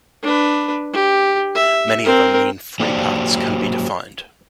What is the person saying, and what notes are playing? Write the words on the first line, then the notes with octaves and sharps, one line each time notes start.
Many other mean free paths can be defined.
D4 B4
G4
E5
C4 A#4
F#3 A#3 G4 C5 D5